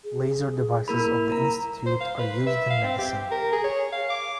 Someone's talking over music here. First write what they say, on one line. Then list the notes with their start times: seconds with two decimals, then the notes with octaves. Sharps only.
Laser devices of the institute are used in medicine.
0.04 G#4
0.88 A#3 E4 A#4 B5
1.30 A#4 A#5
1.86 C5
2.01 F5
2.19 B4
2.47 E5
2.70 F5
2.84 C4
2.98 G4
3.31 A#4
3.52 G#4
3.64 C#5
3.92 F5
4.10 D6